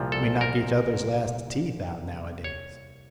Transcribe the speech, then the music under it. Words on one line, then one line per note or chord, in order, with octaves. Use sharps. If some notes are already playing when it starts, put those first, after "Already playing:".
We knock each other's last teeth out nowadays.
Already playing: C2 A#2 F3
A4
A#4
C#5